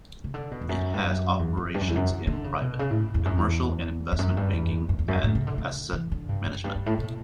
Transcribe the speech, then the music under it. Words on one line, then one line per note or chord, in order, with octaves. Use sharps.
It has operations in private, commercial and investment banking and asset management.
C#3
D3
B2
E2
F#2
G2
F#2
E2
E2
G2
F#2
E2
F#2
D3
D3
C#3
B2
C#3
A2
E2
F#2
E2
E2
F#2
G2
E2
F#2
E2
F#2
A2
C#3
D3
D3
E3
D3
G2
F#2
G2
G2
A2
B2